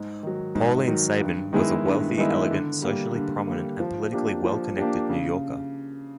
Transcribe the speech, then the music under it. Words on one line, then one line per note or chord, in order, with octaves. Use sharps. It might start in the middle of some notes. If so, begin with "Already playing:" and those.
Pauline Sabin was a wealthy, elegant, socially prominent, and politically well-connected New Yorker.
Already playing: G#2
D#3 F#3
G#2
D#3 F#3
G2
D#3 G#3 B3 E4
G2
D#3 G#3 B3 E4
D3
G3 A#3
D3
G3 A#3
F3
A#3 D4 G4
F3
A#3 D4 G4
C#3